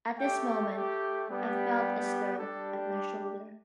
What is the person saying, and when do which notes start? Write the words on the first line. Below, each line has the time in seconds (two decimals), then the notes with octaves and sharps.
At this moment I felt a stir at my shoulder.
0.19 A3 G4 G5
0.74 G4
1.29 G3 B3 D4 G4
2.37 G3 D4 G4 A4